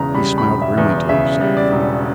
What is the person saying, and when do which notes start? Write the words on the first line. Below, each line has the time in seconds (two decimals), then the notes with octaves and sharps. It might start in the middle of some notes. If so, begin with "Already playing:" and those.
He smiled grimly to himself.
Already playing: E1 E2 C#3 A#5
0.14 G3 B5
0.38 B5
0.46 E1
0.62 E5
0.77 E2
1.09 C#3 E5
1.41 G3
1.57 D5
1.72 E1